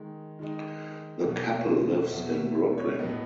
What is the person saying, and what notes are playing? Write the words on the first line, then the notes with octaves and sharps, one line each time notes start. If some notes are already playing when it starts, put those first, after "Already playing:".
The couple lives in Brooklyn.
Already playing: D#3 G#3 D#4
D#3 G#3 D#4
E2 B2 F#3
E2 B2 F#3 E5
E5
C#5
A2 F#3 B3 D#5